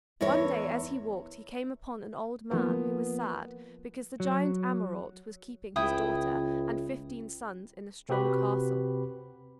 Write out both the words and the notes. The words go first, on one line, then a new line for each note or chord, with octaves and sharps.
One day as he walked he came upon an old man who was sad because the giant Ameraunt was keeping his daughter and fifteen sons in a strong castle.
E2 E4 A#4 C#5
F3 A#3 B3
F#3
C#2 E4 G5 D#6
C3 C4 F#4 G4 B4 B5